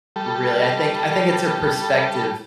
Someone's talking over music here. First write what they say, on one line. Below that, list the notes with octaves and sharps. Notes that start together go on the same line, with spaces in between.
really. I think I think it's a perspective
G3 A4